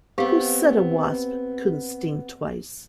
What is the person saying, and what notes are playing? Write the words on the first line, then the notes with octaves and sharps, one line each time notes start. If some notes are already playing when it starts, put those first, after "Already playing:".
Who said a wasp couldn't sting twice?
B3 C4 G4 F5